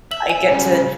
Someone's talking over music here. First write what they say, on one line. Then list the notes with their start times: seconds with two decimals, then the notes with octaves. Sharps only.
I get to
0.11 E5 F#7
0.29 G#5
0.48 C#3 G3